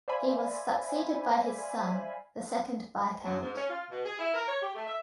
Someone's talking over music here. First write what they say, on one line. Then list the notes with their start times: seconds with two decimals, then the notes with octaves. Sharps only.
He was succeeded by his son, the second Viscount.
0.08 C5 D5 E5 F5 G#5 B5
3.23 F#3
3.40 G#2
3.56 C#4
3.69 F4
3.91 B2
4.05 G#4
4.18 E4
4.34 A#4
4.47 C#5
4.62 G4
4.75 A3
4.87 E5